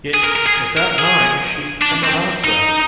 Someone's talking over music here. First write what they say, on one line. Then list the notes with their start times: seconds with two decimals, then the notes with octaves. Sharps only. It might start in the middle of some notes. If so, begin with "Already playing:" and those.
Yet without knowing she cannot answer.
0.14 G#4
0.24 A#4
0.36 A#4
0.46 G#4
0.77 A#4
0.98 G#4
1.82 D4
2.03 C4
2.44 D#4